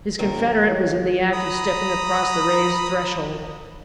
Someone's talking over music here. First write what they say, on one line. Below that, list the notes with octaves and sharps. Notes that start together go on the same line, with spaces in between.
His confederate was in the act of stepping across the raised threshold.
A#1 D#2 A#4
G3 C#5
A#5 B5 D#6